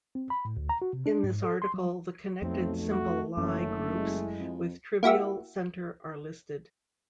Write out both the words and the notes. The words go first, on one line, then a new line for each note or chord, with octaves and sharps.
In this article the connected simple Lie groups with trivial center are listed.
C4
B5
A2
D2
A#5
F#4
C3
D4
G#2
A4
C6
F#3
B1 F2 A3 C4
F#4
F#1 F#2 D#3 A3 C#4
G#3 E4
F2
A#3 E4 F#4 G4 E5